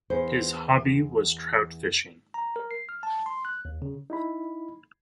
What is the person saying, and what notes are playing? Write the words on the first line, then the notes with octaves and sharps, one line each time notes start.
His hobby was trout fishing.
E2 C5
A#5
A#4
C7
F6
A5
C6
F#6
D#2
C#3
D#4 E4 B5